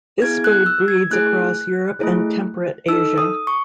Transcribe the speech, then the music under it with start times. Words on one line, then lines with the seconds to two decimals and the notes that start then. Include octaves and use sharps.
This bird breeds across Europe and temperate Asia.
0.22 B3 E4 G#4 G#6
0.44 F#6
0.66 E6
0.88 G#6
1.11 A3 E4 G#4 F#6
2.00 A3 E4 G#4
2.89 D#4 A4 E6
3.18 D#6
3.47 C#6